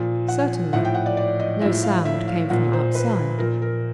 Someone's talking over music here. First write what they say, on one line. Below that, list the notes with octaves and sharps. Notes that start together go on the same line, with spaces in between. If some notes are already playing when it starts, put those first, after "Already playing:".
Certainly no sound came from outside.
Already playing: A#2 F3
F#5
A2 F3 F#5
G5
F#5
D5
D5
D#5
A2 F3 E5
F5
E5
F5
A#2 F3 F#5
C5
B4
A#2 F3 A#4
A#4